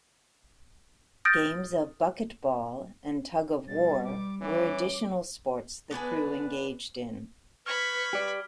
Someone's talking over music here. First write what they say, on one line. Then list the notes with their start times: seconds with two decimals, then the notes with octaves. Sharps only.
Games of 'Bucket ball' and tug-of-war were additional sports the crew engaged in.
1.25 D#6 F6 G6 A6 A#6 D7
3.68 B2 G3 A6
4.04 D6
4.41 E3 C#4 D6
5.91 B3 D4 G#4 B4
7.66 B4 B5 C#6 F6 G#6 B6
8.13 G4 D5